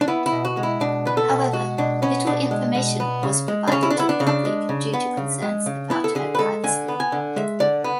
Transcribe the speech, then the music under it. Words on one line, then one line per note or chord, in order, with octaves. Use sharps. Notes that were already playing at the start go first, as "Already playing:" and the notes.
However, little information was provided to the public due to concerns about her privacy.
D4
B3 E4
E4
B2
F#4
G#3
E4
B2 D4
B3 B4
A4
B2
G#3 F#4
B2 D4
B3 C#4
B2 D4
G#3
B2
B3
C#3
G#3
D4
C#3 C#4
E4
D4
B3 E4
D4
C#3
D4
G#3
C#3
B3
C#3
G#3
C#3
B3 E4
A4
D3 G#4
B4
G#3 A4
D3 G#5
B3
G#5
D3
G#3 E5
D3 D5
B3